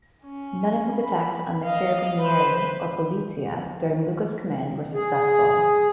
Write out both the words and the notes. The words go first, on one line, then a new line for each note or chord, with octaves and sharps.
None of his attacks on the Carabinieri or Polizia during Luca's command were successful.
C#4
B5
D#5 F5
B4 C5
G#4